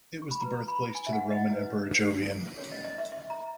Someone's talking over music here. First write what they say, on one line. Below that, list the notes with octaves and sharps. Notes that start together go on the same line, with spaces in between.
It was the birthplace to the Roman Emperor Jovian.
C#6
B5
F#4 B4 A#5
B5
G#5
E5
F#5
D#5
E4 B4
C#4 F#4 A#4 C#5
D#5
D#5
E5
E5
A#5